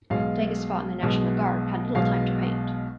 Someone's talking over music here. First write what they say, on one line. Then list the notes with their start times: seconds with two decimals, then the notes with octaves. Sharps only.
Degas fought in the National Guard and had little time to paint.
0.10 B1 B2 G#3 F5
1.02 B1 B2 G#3
1.95 B1 B2 G#3 F5